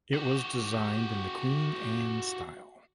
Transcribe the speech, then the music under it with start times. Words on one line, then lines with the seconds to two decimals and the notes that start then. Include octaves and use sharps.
It was designed in the Queen Anne style.
0.14 F#4 G4